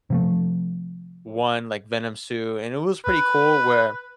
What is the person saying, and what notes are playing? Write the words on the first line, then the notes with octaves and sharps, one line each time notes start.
one, like, Venom suit, and it was pretty cool where
C3 F3 A3
B4